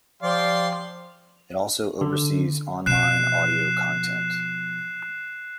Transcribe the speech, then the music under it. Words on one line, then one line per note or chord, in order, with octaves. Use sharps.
It also oversees online audio content.
F3 G4 D5 F5 C6
D3
B2 F3 F#6 C7 E7